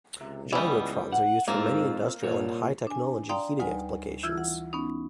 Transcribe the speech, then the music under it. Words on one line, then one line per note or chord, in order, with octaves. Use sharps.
Gyrotrons are used for many industrial and high-technology heating applications.
C#2 C3
B2 E3 G3 D#5
F#5
G#2 A#3 C4 F4 C5
C2 A#2 C#5
D4 G#5
D5 F5 G5 A#5 C6 D#6
D2 G3 D#4 B4 F#5 G#5
E3 E4 F4 E6 G#6
F#5
B3 C#4 D#4